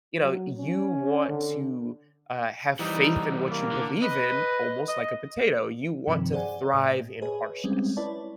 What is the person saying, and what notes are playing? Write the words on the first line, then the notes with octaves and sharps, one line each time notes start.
you know, you want to, uh, have faith in what you believe in almost like a potato, you want to thrive in harshness,
F#3
C#4
D3
E3 G3 D#4
A#3
D3
B4 D#5
D#5
G2 C3 D#3 F3
G#4 C5 D5 F#5 G#5
A2 D#6
G#4 B4 C#5 D#5 G#5
G3 G#3 C4 C#4
E4 B4 C#5 D5 A5